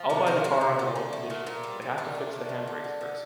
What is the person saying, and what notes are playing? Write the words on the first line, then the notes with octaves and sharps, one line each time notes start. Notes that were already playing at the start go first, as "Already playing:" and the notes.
I’ll buy the car under one condition, they have to fix the handbrakes first.
Already playing: F3
C3 D4
C3 A#4
C3 C5
A3
D3
D3
A3
A#2
A#2
G3
G3
A#2 D4
A3
A3
A#2
D3
D3
D3